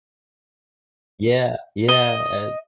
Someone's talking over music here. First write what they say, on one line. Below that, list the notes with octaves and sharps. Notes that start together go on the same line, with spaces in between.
Yeah, yeah, and
D#5